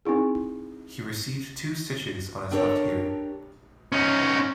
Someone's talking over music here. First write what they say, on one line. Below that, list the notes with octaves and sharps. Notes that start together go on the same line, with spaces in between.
He received two stitches on his left ear.
C4 D#4 E4 G#4
C4 D4 G4 A4 A#4 C#5
C#4 D#4